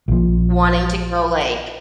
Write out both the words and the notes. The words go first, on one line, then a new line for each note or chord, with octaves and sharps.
wanting to go like
A#1 F3